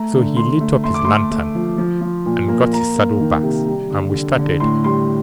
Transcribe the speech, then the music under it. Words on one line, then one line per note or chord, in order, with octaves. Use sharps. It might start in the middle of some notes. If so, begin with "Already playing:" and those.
So he lit up his lantern, and got his saddle-bags, and we started.
Already playing: A3 A#5
D3
D3 C6
A3
A3 C6
D6
A3 C6
A3
F3
F3
F3
A#2
A#3
A#3 A#5
A#3
D#3
C3
G3
D3
D3
D3
A2 C6
G3 C6